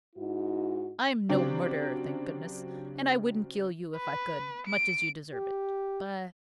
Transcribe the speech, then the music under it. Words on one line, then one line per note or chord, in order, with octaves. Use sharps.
"I'm no murderer, thank goodness, and I wouldn't kill you if I could--much as you deserve it."
G#2 D#4 E4 F#4
C#3 F#3 C4 D4 G4
B4
D7
G4